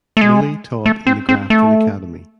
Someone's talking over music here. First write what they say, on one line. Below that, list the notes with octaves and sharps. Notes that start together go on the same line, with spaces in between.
Lillie taught in The Grafton Academy.
A3
G#3
A3
C4
C4
A3